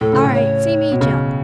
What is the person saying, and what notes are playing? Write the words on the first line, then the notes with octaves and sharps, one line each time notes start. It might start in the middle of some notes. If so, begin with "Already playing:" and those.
All right, see me jump.
A2 A4
C#3
A2
C#5
B2
C#3